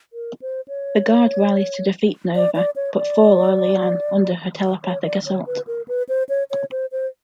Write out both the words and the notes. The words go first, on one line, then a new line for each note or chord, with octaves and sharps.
The Guard rallies to defeat Nova but fall early on under her telepathic assault.
A#4
C5
C#5
D5
D5
C#5
D5
C#5
D5
C#5
B4
A#4
B4
C5
C#5
C#5
C5
C5